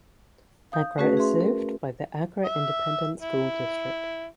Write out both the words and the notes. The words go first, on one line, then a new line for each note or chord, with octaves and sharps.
Agra is served by the Agra Independent School District.
F5 D#6 G6
A3 C#4 F#4 G#4 B4
G#4 E5 C6
A#4
E5
E4